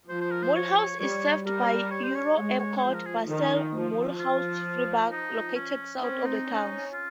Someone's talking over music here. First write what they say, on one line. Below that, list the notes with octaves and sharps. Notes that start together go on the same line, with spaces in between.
Mulhouse is served by EuroAirport Basel-Mulhouse-Freiburg, located south of the town.
F3 C5
C5
A#4
C5
C#5
C#5
G3 C#5
G3 A#4
C#5
C5
C#5
G#3 C#5
C#5
C#5
F3 C5
A#4
G#4
D#3
F3
F3 F4
D#4
C#4
C4 C#4
D#4
C#4
F4